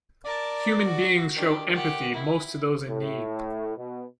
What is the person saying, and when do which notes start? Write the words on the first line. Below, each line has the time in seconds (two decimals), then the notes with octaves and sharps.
Human beings show empathy most to those in need.
0.25 A#4 D5 A5 D6
0.86 F#4
1.35 D#3 D4 G4
1.73 G4 F#5
2.13 E4
2.87 A2
3.76 B2